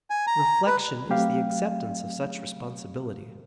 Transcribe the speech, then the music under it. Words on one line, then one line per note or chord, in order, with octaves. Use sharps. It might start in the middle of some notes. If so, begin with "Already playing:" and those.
Reflection is the acceptance of such responsibility.
G#5
A#5
B4
F#3 A3 C4 G4 F5